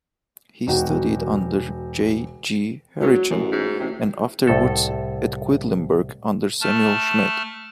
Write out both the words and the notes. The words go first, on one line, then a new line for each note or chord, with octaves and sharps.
He studied under J. G. Herrichen, and afterwards at Quedlinburg under Samuel Schmid.
E1 D#4 F#4 G5
E1 F#3 F#4
A1 F#2
G#2
A1 C3
C2 A2 A4
A3 A5 F6